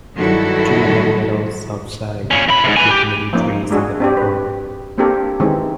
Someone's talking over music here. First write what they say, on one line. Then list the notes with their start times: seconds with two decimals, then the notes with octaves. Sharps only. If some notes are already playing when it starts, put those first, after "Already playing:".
Two young adults outside, with many trees in the background.
0.16 G2 D#3 F#3 E4 F#4 A4
2.31 A#2 C#4
2.49 E3 B5
2.64 G#2 C3
2.77 B4 G#5
2.91 G4
3.33 F3 A#3 C#4 D#4
3.71 G#3 D4 F#4 G#4
4.00 C4 D4 G4
4.17 B4
4.98 A#3 C4 D4 G4 A4 A#4
5.40 D#3 E3 G#3 C4 C#4